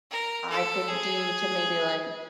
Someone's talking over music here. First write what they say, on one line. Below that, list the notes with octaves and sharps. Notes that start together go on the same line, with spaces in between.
I could do to maybe, like,
A#4
A4
G#4